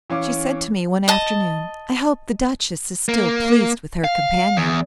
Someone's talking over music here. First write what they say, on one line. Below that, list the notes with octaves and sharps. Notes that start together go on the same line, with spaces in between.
She said to me one afternoon, 'I hope the Duchess is still pleased with her companion.
E3 C#4 F5 D6
D#5 A5
A#3
F5
E2